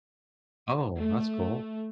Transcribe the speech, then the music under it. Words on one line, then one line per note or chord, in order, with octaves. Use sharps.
Oh, that's cool.
A3